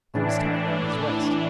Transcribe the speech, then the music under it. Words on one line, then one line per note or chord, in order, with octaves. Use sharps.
It was tied round his waist.
A2 E3 D4
A2 E3